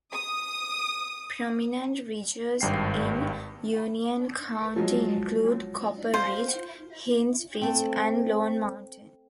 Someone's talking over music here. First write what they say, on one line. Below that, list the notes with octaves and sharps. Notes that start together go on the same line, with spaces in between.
Prominent ridges in Union County include Copper Ridge, Hinds Ridge and Lone Mountain.
D#6
G#1 G2 G5 C7
F3 F#3 G#3
C5 F5
A3 C4